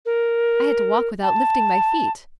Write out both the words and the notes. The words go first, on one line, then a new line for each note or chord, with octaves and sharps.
I had to walk without lifting my feet.
A#4
A5